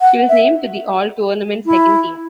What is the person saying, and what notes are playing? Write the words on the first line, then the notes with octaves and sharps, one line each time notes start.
She was named to the All-Tournament second team.
F#5
E5
E4